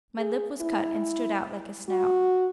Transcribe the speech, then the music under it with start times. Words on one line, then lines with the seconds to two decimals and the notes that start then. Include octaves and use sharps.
My lip was cut and stood out like a snout.
0.19 G#4
0.61 E4
1.89 F#4